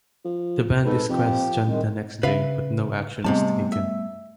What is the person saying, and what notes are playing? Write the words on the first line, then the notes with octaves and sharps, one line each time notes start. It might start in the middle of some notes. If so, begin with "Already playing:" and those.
The band is questioned the next day, but no action is taken.
F3
G#2 A4 B4
F2 F3 G4
C2 D#3 G#3
C#3 B4 E5 F5
G#2 C3 G3 A3 B3 A5
E5